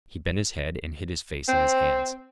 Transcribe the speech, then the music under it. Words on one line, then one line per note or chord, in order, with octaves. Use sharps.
He bent his head, and hid his face in his hands.
C4